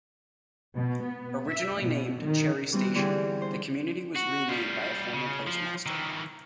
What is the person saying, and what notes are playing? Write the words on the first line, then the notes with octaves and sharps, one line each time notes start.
Originally named Cherry Station, the community was renamed by a former postmaster.
B2
B3
E5
B2
D#3
E3 G3 B3 C4
D3 E3 G3 C4 G4 G#4
C5
F#4
G3 F4
C#3
F3
D#3 E3